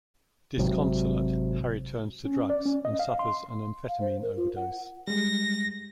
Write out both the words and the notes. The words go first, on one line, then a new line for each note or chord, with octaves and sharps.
Disconsolate, Harry turns to drugs and suffers an amphetamine overdose.
G#1 C3 F#3
C#4
D5
C#4
D#5
F5
C6
F5
C5
A#4
F4
F#5
G3 G#3 A#6